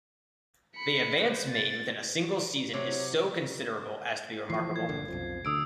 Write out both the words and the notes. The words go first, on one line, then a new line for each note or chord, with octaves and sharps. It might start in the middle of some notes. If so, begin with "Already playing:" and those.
The advance made within a single season is so considerable as to be remarkable.
B5 C#7
B4 C5
A6
C3 F#3 C#5
E3 F3 C7
G#6
G1 A#2 D3
B1 F2 F3
D2 D3 D#6 E6 D7